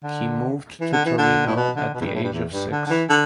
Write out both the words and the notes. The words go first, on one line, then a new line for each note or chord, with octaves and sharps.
He moved to Torino at the age of six.
D3
E3
D3
E3
D3
A2
B2
D3
B2
E2
G2
A2
G2
E2
G2
D3
D3
E3
D3